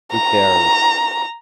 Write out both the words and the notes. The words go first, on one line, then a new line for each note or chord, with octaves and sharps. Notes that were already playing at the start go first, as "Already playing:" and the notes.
Who cares?
A#5